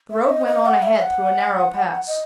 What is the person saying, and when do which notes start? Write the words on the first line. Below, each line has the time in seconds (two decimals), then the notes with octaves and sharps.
The road went on ahead through a narrow pass.
0.11 E5
0.29 D#5
0.47 D#5
0.66 F#5
0.83 E5
1.01 F#5
2.08 D#5